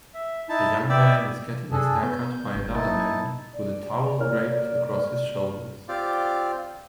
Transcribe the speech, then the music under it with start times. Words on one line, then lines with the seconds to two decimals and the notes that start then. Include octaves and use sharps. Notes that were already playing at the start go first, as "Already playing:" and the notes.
A young man is getting his haircut by another man with a towel draped across his shoulders.
0.14 E5
0.49 D#4 E4 A5
0.89 B3 D5 E5 G5 D6 E6
1.72 F#2 D4 G#4 A4
2.03 B3 G6
2.55 G#1
2.75 A#3 D#4 E4 A5
3.54 D5
4.19 A#3 C#5 F6
5.88 C4 F4 G4 D5